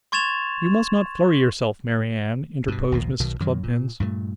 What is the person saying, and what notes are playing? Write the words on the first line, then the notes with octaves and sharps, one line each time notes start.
'You must not flurry yourself, Mary Ann,' interposed Mrs. Cluppins.
C6 C#6 G#6 A6 E7 F7
G2 B2
A#1 D#2 B2
B1 B2 D#3
F#2 D#3 F#3
A#2
G2 A#2 F3 A3